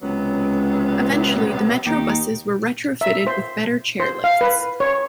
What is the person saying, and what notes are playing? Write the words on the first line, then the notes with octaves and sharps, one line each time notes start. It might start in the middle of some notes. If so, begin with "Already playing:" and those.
Eventually, the Metro buses were retrofitted with better chair lifts.
C#2 C3 F#3 B3
D#2 D#4 G4
E5
C5
C5
F5
B4
C#5